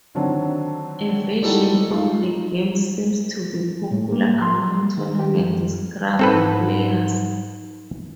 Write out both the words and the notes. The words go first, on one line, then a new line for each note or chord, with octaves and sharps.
A version of the game seems to be popular among tournament Scrabble players.
D3 D#3 F#3 C4 D4
G3 G#3 D#4 E4 F#4 A4
G#3 D#4 F4
A2
A#3
C6
D#3
G4
F#2
G#2 C4 A4 B4